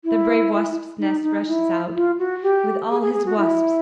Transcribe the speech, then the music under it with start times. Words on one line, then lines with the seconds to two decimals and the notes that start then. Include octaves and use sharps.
'The brave Wasp's-nest rushes out with all his wasps.
0.05 E4
0.99 D#4
1.23 D#4
1.47 E4
1.95 F4
2.19 F#4
2.43 G4
2.90 G#4
3.02 G#4
3.14 G#4
3.26 F#4
3.38 E4